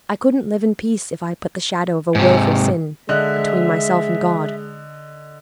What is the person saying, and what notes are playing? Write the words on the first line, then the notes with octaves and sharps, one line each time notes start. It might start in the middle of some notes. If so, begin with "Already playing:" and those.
I couldn't live in peace if I put the shadow of a wilful sin between myself and God.
G#2 C3
D3 G#3 D#5 E5 F#6